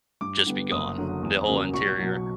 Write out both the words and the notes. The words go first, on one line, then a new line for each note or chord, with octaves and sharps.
just be gone, the whole interior.
G2 D6
D3 G3 B3
F#1 D#6
F#2 D3 F#3
E2
C#3 F#3 A#3
B1 C#6
B2 F#3